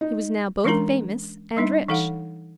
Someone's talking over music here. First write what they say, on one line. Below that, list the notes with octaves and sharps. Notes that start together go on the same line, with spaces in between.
He was now both famous and rich.
D#4
E3 G#3 C#4 D4 A#4 A#5
G3 D4 D#4 E5
E3 D#4 A4 F5 F#5